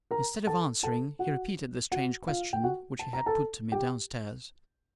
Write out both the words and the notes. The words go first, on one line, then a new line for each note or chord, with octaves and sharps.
Instead of answering, he repeated the strange question which he had put to me downstairs.
A#4 A#5
A4 A5
A4 A5
F#4 F#5
F#4 F#5
F4 F5
G5
F#4 F#5
A5
A#5
A4 A5
G4 G5